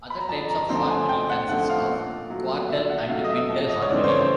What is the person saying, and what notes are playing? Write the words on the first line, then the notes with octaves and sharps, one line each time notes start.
Other types of harmony consist of quartal and quintal harmony.
B5
A#5
F2 A5
A#5
D3 F3 A3 C4 C6
G#5
F2 G5
F#5
D3 F3 A3 C4 F#5
F5
A#2
F#3 A3
A#2 E5
F#5
F#3 A3 F5
D#5
E5
F2
D#5
C#5
C#3 E3 A3 C4 D5
C5
C#5
C5